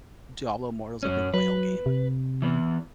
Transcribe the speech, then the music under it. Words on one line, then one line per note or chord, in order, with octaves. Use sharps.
Diablo Immortal's a big whale game
F#2 F#3 C#4
F#3 B4
C3
E3 B3